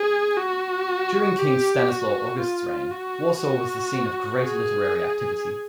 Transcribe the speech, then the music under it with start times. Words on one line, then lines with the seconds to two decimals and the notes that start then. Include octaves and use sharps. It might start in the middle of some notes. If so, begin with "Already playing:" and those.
During King Stanislaw August's reign, Warsaw was the scene of great literary activity.
Already playing: G#4
0.36 F#4
1.39 G4
1.89 F#4
2.40 F4
2.91 F#4
3.42 F#4
4.44 G#4